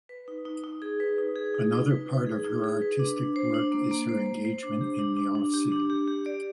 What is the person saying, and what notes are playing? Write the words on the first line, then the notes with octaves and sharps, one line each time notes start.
Another part of her artistic work is her engagement in the off scene.
B4
D#4
D#4
D#4
G#4
B4
D#4
G#4
D#4
D#4
B4
D#4
G#4
D#4
G#4
B4
D4
D4
C5
D4
A#3
A#3
C5
C5
C5
D4
G4
D4
D4
D4
G4
D4
G4
G4
D5